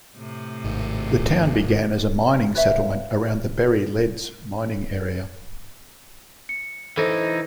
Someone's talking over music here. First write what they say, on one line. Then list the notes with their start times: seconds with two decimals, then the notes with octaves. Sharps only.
The town began as a mining settlement around the Berry Leads mining area.
0.15 A2 C3
0.64 G#1
2.55 B4 C#5 E5 F5
6.49 C#7
6.97 E3 D#4 A4 C5